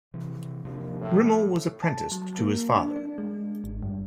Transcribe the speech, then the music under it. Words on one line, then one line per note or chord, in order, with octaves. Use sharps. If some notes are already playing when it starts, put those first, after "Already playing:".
Rimmel was apprenticed to his father.
C3 E3
D#2 C3 F3 D4
A2
A5
F#3
A#3
D4
D4
G#3
G#1
G2